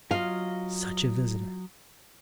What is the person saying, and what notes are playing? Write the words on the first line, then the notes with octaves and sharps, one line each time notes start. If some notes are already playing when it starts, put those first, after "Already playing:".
Such a visitor!
F#3 F4 D#5 F5